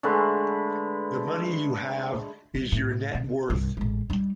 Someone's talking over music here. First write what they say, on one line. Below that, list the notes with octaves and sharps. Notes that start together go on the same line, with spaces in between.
The money you have is your net worth.
D3 G#3 A3 B4
C2
A2
C3
C2 G2
A1 G#3
G3 D#4